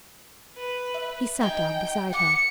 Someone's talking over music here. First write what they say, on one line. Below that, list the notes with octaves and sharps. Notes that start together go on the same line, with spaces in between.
He sat down beside her.
B4
E5
D#4 G5 G#5
F#5 D6 C#7